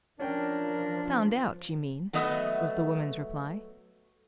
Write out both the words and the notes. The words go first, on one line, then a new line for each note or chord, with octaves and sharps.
"Found out, you mean," was the woman's reply.
F3 C#4 D4 A#4 G5
F#3 A3 B3 D#5 E5